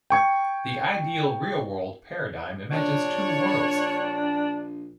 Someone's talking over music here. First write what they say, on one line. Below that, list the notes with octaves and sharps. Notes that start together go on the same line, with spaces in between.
The ideal-real-world paradigm imagines two worlds.
G5 C#6 G#6
A#1 D4 C#5